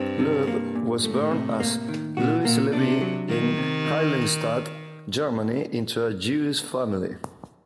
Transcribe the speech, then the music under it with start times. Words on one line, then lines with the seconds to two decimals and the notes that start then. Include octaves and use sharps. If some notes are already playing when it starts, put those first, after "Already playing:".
Loewe was born as Louis Levy in Heiligenstadt, Germany into a Jewish family.
Already playing: G2 C4
0.19 C3
0.47 A#3
0.75 A#2
1.04 A2 A3
1.31 C3
1.60 A#3
1.89 D#3
2.17 A#2 F#4
2.44 A#2 A#3
2.73 C3 D4
3.02 F#3
3.29 D#3 A#3
3.58 C3
3.87 D#4